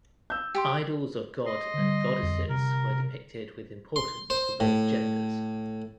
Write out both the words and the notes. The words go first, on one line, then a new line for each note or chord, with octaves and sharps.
Idols of god and goddesses were depicted with importance to both genders.
E6 G6
G4 G5 C6
D#5 C6
D3 G3
F2
C3 A#4
C6
C5
A2